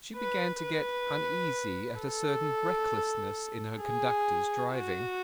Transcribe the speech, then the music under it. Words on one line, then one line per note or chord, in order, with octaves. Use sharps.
She began to get uneasy at a certain recklessness in her conductor's driving.
B4
B4
A4
G#4
F#4